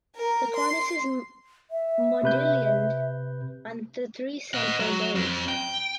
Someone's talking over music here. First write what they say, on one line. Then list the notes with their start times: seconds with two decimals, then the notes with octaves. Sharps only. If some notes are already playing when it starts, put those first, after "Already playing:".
The Cornice is modillioned on the three central bays.
0.15 A#4
0.56 C6
1.71 E5
2.23 C3 B4 G6
4.54 D#5 F#5
4.80 F#3
5.15 F2
5.49 G5